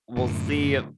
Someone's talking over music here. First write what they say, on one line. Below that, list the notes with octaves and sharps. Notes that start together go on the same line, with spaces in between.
We'll see a
F#2 A2 D3